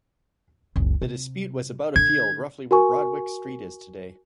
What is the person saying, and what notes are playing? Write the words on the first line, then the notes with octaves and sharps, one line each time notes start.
The dispute was about a field roughly where Broadwick Street is today.
F#1 C#2
C3
D3 D4 G#6
F#4 A#4 G#5 C#6